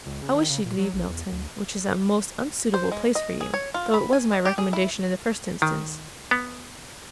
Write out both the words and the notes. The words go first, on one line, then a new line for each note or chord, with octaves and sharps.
I wish you'd leave Milton; which is a most unsuitable place for you, though it was my recommendation in the first instance.
C#2
C#3
D#3
C#3
A#2
F#3
A#1
E2
D2
C5
G#3
D#5
G#4
C#5
F4
B5
G#5
D#5
G4
G#4
E4
D#3
B3